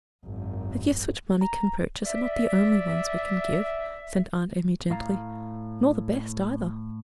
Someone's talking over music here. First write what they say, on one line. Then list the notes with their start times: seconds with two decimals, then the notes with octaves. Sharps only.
"The gifts which money can purchase are not the only ones we can give," said Aunt Emmy gently, "nor the best, either."
0.25 G#1 F#2
1.41 A#5
2.04 D5 E5
4.90 A2 F5 A#5